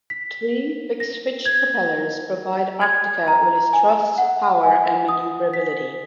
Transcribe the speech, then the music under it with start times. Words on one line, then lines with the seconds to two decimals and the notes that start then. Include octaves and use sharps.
Three fixed-pitch propellers provide "Arktika" with its thrust, power, and maneuverability.
0.10 B6
1.00 A#6
1.46 G#6
2.82 G#6
3.28 A#5
3.73 G#5
4.18 F#5
4.63 G#5
5.09 D#6
5.54 B6